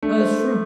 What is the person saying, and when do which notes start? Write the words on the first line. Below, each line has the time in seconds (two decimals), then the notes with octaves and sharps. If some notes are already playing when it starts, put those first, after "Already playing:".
No, that's true.
0.03 A3 D4
0.20 C5
0.40 A4